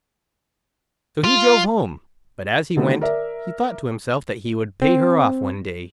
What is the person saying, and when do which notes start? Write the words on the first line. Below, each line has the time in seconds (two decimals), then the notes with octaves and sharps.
So he drove home; but as he went, he thought to himself that he would pay her off one day.
1.24 F4
2.77 D3 D#3 F#3 G3 A3 B3
3.01 A#4 D5 E5
4.82 C4